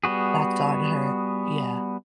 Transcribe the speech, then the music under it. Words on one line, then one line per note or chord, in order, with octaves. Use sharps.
That's on her, yeah.
G3 B3 F#4 G#4